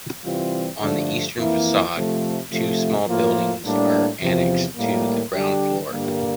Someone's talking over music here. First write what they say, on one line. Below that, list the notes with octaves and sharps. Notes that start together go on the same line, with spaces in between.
On the eastern façade, two small buildings are annexed to the ground floor.
C3 E3 G3 C4 F4
G2 D3 F3 A3 D4
F2 E3 A#3 E4
C3 F3 A3
C3 F3 A3
A2 F3 A#3 F4
A2 G3 A#3 D4
E2 C3 F3
A2 G3 A#3
D3 G3 D4 G4
G2 D3 G3 A#3